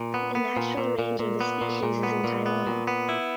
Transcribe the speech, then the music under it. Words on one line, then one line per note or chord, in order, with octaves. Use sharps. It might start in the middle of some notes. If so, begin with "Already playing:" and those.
The natural range of the species is in Taiwan.
Already playing: A#2
B3
B3
A#2
A#2
A#2
A#2
B3
A#2
A#2
B3
A#2
B3
A#2
B3
E4